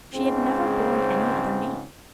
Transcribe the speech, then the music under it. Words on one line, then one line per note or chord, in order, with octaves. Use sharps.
She had never borne any other name.
C#2 G#2 C#3 C4